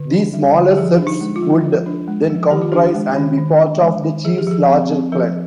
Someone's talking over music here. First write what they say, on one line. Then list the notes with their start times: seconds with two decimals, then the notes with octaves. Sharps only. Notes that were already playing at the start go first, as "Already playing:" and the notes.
These smaller septs would then comprise, and be part of, the chief's larger clan.
Already playing: D3
0.12 D4
0.34 G3
0.55 D3
0.71 G4
0.77 F3 G#4
0.98 D4
1.07 D#4
1.21 G#3
1.36 F4
1.43 F3
1.64 F3
1.86 D4
2.08 G#3
2.30 F3
2.51 D#3 G4
2.62 F4
2.72 D4 G4
2.94 G#3
3.16 D#3
3.38 D#3
3.60 D4
3.81 G#3
4.03 D#3
4.25 F3 G#4
4.38 G4
4.47 F3 G#4
4.68 C4
4.90 C4
5.12 F3 A#4